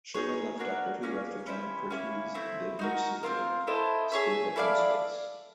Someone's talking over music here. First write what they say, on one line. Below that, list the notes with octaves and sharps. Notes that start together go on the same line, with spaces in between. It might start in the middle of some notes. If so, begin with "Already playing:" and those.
Sherwin left "Doctor Who" after Jon Pertwee's debut serial, "Spearhead from Space".
D#4 G#4 C#5
D4 F#4 A#4 C#5
A#3 C#4 E4 G#4
C#4 E4 G4 C5
A#3 C#4 E4
A3 C4 E4
D#4 F#4 A#4
C4 F4 A#4
E4 A4 C5 D#5
G#4 C#5 E5
E4 A4 D5 F5